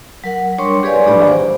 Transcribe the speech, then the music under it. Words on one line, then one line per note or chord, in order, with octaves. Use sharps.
eh, you know?
F#3 A#4 F#5
G3 D4 A#4 C#5 C6 C#6
G4 G#4 B4 D5 F5 G#5
D4 G4 D5 B5
C5